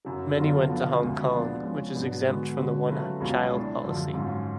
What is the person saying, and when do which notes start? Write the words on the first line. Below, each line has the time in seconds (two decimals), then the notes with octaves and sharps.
Many went to Hong Kong, which is exempt from the one-child policy.
0.05 F#2 C#3 F#3
0.37 D3 F#3 B3 F4 A4
0.68 D3 F3 B3 F4
1.00 D2 C#3 G#3
1.31 F3 B3 D4
1.62 F3 G#3 C#4
1.94 G#2 F#3 B3 D4
2.26 D3 G#3 B3 F#4
2.56 D3 G#3 C#4 F#4 B4
2.88 F#3 A3 C#4 F4 B4
3.20 C#2 B2 F#3 C#4 F4
3.51 A2 G#3 D4 G#4
3.83 F#2 D3 F3
4.14 G#2 F#3 C#4 F4